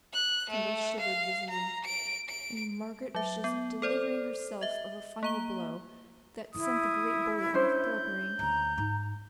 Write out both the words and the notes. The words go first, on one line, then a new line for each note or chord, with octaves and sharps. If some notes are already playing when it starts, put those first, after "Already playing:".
Kendall shivered visibly--"and Margaret was just delivering herself of a final blow that sent the great bully off blubbering."
F#6
A3
F5
A#5
D7
D7
F#3 E5
B3
A4 C5 D5
D#5 E5
A#3 A#5 G7
E3 E4 D#6
C#4 D4 C5 G6
D2 A#5
G#2 D#4